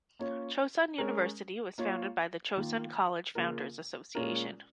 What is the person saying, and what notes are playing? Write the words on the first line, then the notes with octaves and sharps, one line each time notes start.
Chosun University was founded by the Chosun College Founders' Association.
A#3 C#4 F4 C#5
G#3 C#4 A#4
A#3 F4 C#5
D#3 A#3 F4
C#3 A#3 F4 A#4
A#2 G#3 C#4 F4 A#4